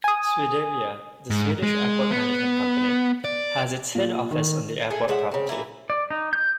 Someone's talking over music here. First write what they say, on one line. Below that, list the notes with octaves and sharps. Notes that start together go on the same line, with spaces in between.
Swedavia, the Swedish airport management company, has its head office on the airport property.
G#5 D#6
G#2
G#3
B3
D5
A#2
D#3
G#4 A4 E5
A2 G#3 E5 F#5
C#3 C4
E3 F#3 A#3 E4
D5
D#4
G6